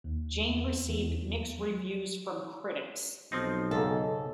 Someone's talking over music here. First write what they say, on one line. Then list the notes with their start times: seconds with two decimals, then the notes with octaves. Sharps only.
Jane received mixed reviews from critics.
0.04 D#2
0.49 E2
0.90 E2
1.59 F#3
3.32 B1 F3 C4 D#4
3.71 C#2 G#2 A4